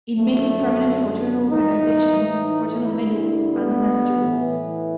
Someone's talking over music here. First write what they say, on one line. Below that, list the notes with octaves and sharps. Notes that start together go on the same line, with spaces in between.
In many prominent fraternal organisations, fraternal medals are known as "jewels".
F#2 D3 F3 A3
A2 E3 D#4
G2 D3 F3 E4
B3
A2 E3